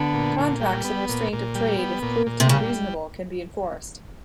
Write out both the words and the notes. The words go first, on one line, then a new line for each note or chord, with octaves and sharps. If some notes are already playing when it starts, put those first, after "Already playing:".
Contracts in restraint of trade if proved to be reasonable can be enforced.
Already playing: D3 B3
A#2
A#2
G3
B3
A#2
A#2
G3
B3
A#2
A#2
C3
C#3 G3